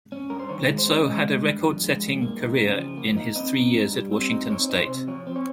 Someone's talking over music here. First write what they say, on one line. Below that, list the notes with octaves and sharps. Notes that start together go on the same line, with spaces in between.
Bledsoe had a record-setting career in his three years at Washington State.
C#4
G2 A#4
C5
D#3 C#5
G#3
C5
C#4
G#3 D#5
G2
G2
F3
G#3
G2
A#3
D#4
C#3
F3
A#3
D#4
C4 D#5
D#4
G2
G3
C4
D#4
C4 C#5
D#4 C#5
C5
C3
F3 C#5
C4
C#5